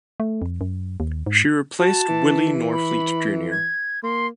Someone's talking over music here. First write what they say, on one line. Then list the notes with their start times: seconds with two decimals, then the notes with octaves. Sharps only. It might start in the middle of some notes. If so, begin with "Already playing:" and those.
She replaced Willie Norfleet Jr.
0.20 A3
0.42 F2
0.61 F#2
1.00 D#2
1.26 G#2
1.79 F#4 A5
2.09 E3
2.73 B5
3.52 G#6
4.03 A#3 C6